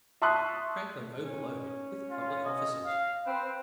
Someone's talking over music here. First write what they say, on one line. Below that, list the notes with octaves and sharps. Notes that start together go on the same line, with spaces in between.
Franklin overloaded with public Offices.
E5 A5 C6 C#6 D#6 F#6
C#4
F4
D#5
F5
C4 B4